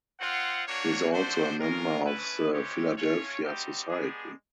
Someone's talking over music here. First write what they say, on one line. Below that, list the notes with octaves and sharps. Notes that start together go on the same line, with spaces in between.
He is also a member of the Philadelphia Society.
C4 F4 F#5
A#3 D4 F#4 C#5
A3 D4 F#4 C5
G#3 C#4 F4 A#4
A3 C#4 E4 B4
G#3 C4 E4 G4 C#5
A3 C#4 F4 C#5
G3 C4 D#4 F#4 G4
G#3 B3 D4 G4 G#4